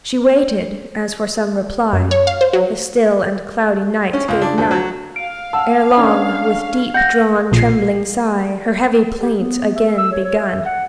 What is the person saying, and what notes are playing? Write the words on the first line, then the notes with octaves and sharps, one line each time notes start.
She waited--as for some reply; The still and cloudy night gave none; Ere long, with deep-drawn, trembling sigh, Her heavy plaint again begun.
F#2
C#5
F5
C5
F#3
C#4
C#2
D4
D2
F#3
F5 D7
F#5 A5 E6
C#4 D4
F#5 G6 A#6
B1 A#2 F3 C7
G4
B3
E5
E6
C#5
C#5
E5
F#5